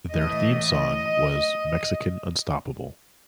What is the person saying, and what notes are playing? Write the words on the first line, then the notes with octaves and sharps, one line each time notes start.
Their theme song was "Mexican Unstoppable".
A2 E3 A3 D#5
D#5